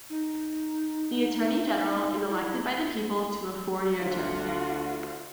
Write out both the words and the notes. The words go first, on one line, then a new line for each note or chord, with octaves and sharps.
The Attorney General is elected by the people to a four-year term.
D#4
E4
D2 F4 F#4